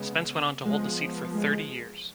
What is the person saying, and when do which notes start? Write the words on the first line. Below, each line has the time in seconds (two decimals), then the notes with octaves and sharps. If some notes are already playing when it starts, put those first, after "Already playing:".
Spence went on to hold the seat for thirty years.
Already playing: C#3 G#3 B3
0.64 F3 G#3 B3
1.33 G#3